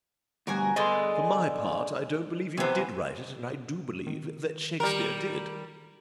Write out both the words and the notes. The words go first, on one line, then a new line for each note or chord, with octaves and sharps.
For my part, I don't believe you did write it, and I do believe that Shakespeare did.
D2 G2 F#4 A#4 G#5
D3 B3 G#4 D#5 C6
C3 E3 B3 C4 C5
D#3
D#3 G3 A#4